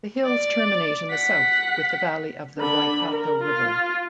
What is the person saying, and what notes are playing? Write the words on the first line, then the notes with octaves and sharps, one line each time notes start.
The hills terminate in the south with the valley of the Waikato River.
D5
F#5 B6
D3 B5
A#4
F4